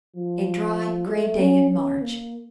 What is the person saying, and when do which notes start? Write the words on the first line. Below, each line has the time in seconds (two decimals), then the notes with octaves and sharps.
A dry, grey day in March.
0.16 F3
1.08 A3
1.39 C#4
1.70 C#4
2.02 A#3